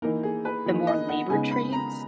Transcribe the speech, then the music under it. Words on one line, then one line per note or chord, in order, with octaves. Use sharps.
the more labor trades,
E3 A#3 D#4 A#4
G#4
B4
E3 A#3 D#4
D#5
F#5
C#3 G#3 B3 D#4 G#5
B5
A#5